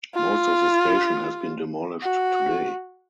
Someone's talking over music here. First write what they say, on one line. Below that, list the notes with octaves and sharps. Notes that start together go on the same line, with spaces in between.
Most of the station has been demolished today.
F4
F#4